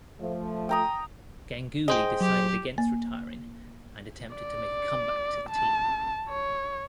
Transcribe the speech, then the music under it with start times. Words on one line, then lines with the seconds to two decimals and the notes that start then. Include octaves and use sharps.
Ganguly decided against retiring and attempted to make a comeback to the team.
0.20 F3 A3
0.69 G5 A#5 D#6
1.88 G#4 C5 D#5 G5
2.21 F#3 G4
2.78 A#3
4.35 D5
5.51 A5
6.29 C#5